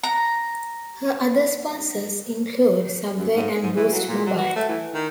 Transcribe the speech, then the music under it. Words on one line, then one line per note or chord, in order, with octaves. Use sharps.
Her other sponsors include Subway and Boost Mobile.
A#5
F#2
G#2
G#3
G#2
E3
F#3
A#2
F#3
F#4
A3
E3
D#3